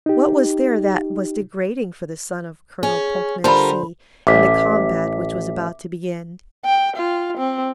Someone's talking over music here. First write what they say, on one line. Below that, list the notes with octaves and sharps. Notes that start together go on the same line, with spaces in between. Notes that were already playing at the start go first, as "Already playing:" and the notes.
What was there that was degrading for the son of Colonel Pontmercy in the combat which was about to begin?
D#4 G4
C#4 G#4
D3 G3 F4 A#4 C5 A5 B5
A1 E5 D6 B6
G5
F4
C4